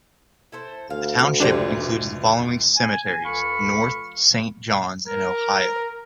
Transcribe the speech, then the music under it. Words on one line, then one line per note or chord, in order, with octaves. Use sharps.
The township includes the following cemeteries: North Saint Johns and Ohio.
E4 A4 C5
D2 F5
F1 C#2 D4 E4 G4 C5 D5
G#5
C#2 E3 A4 F5 B5 C#6
A#4